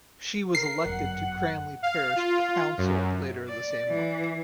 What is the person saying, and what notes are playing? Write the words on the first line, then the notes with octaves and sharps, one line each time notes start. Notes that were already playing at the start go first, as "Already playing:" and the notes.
She was elected to Cranleigh Parish Council later the same month.
A#4 C7
G1 F#2 F#5
F5
F4
F#2
D5
E3